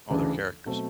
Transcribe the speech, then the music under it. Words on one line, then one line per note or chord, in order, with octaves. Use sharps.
Oh, they're characters.
D2 C#3 E3 A3 D4
B2 F#3 A3 C4